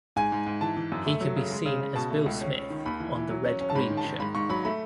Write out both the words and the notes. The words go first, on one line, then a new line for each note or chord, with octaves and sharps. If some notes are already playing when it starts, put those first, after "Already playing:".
He can be seen as Bill Smith on "The Red Green Show".
G#2 G#5
G#2
G#2
E3 A5
E3
F#2
A3
F#3
C#3
G#3
C#3
C#3
B2 A5
A3
C#2
C#4
C#4
D#3
D#2 B5
E3
E3
F#3
C#4
C#4
A5
G#2 B5
D#3
A5
D#3
G#2 B5
G#2 C#6
F#3 B5
A3 B5